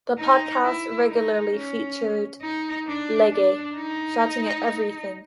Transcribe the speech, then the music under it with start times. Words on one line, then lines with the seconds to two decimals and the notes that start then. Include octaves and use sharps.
The podcast regularly featured Legge shouting at everything.
0.18 D#4
0.63 E4
1.08 D#4
1.52 C#4
2.42 D#4
2.86 D4
3.32 D4
3.76 D#4